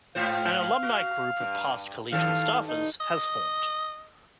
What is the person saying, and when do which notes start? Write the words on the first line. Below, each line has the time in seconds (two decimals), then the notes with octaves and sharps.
An alumni group of past Collegian staffers has formed.
0.15 G#2 F4 C5 F5
0.83 F#4
1.40 G2
2.12 G2 D#3 A4 F5
2.68 D#4
3.01 D#5